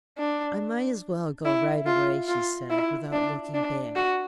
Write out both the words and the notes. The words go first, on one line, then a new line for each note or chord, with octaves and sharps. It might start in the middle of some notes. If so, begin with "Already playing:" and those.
"I might as well go right away," she said, without looking back.
D4
E4
F4
F4
E4
D4
D4
F#4